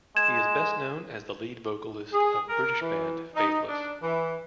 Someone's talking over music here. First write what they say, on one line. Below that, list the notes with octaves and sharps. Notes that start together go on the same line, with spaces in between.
He is best known as the lead vocalist of British band Faithless.
G#3 G#6 E7
G#4
A#4
E3
D#4
D4
E3